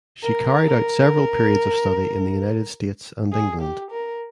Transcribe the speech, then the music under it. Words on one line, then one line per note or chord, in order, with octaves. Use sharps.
She carried out several periods of study in the United States and England.
A#4
A#4
G#4
G4
A#4